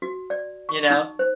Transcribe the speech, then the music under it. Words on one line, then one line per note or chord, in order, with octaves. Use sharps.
you know?
F#4
D5
C#6
D#4
C5